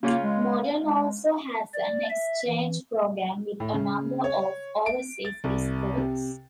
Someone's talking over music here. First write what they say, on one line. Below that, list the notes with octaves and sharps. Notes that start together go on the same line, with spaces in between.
Modern also has an exchange program with a number of overseas schools.
C#3 A#3 C#4 F4
G#3
G#3
D5
E5
E3
A2
C#3
C#5
D7
A6
C2
C3